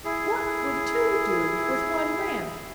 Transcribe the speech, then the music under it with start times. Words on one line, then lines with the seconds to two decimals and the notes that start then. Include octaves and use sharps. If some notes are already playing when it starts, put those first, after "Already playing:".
What would two do with one ram?
0.05 E4 G#4